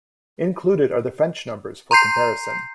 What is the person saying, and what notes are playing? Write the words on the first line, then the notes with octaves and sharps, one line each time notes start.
Included are the French numbers for comparison.
A#5 C6 G6 C7